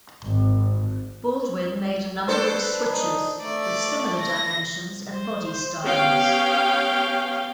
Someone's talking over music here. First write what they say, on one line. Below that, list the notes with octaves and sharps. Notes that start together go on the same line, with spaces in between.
Baldwin made a number of switchers with similar dimensions and body styles.
G#1
D4 A4 B4 C5
D#4
A3 D5
A#6
C5
B3 C#4 G4 F5 G5